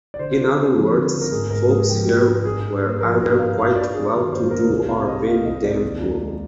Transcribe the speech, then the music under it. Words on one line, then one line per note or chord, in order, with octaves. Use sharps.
In other words, folks here were either quite well-to-do or very damn poor.
D5
D3 C5
F4
C4
F3
D3
F4
A#4
G#2 G#4
G#2 A#4
G#3 G#4
F3 G4
G#2
G#2
G2 G#4
D#4
A#3
F3 A#4
G2 A#4
D#4 F5
G2 F5
G2 D5
G3 G#4
D#3
G2 C5
G2 A#4
C2
C4 F5
G3 D#5
C3 F5
C2 D#5
C4 D5
D#2
D#4
G#3